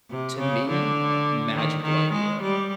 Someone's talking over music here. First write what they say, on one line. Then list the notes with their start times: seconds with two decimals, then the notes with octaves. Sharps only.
to me, magical idea,
0.10 C3
0.39 C#3
0.68 D3
1.54 D#3
1.83 D#3
2.12 G#3
2.42 G3